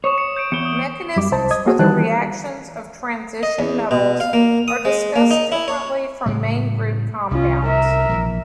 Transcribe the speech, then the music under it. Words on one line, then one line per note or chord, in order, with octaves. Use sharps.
Mechanisms for the reactions of transition metals are discussed differently from main group compounds.
C#5 C#6 D#6 E7
C#7
G6 C#7 D7
E2 C#7 G7
D#6
F#2 G3 D6
C2 C5 A5
D#5 D#6 G#6
A#3 B3 F#4 G#4
D#3 E3 G3 A5 F#6
D#5
E2
B2
F5
A#3
D#6
G#3
A#3
D#4
E4
C#5
A2 C#3 G3
C2 C#4 F4
A#4 E5
A#1 D3 E3